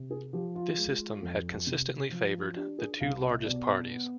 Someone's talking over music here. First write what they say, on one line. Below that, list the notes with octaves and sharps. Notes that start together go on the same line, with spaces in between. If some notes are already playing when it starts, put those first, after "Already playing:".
This system had consistently favoured the two largest parties.
Already playing: C3
G#4
F3 G4
F4
G#3
F2
C3
F3
D4 G4
G#4
C2 F5
D#5
B2 D5
B3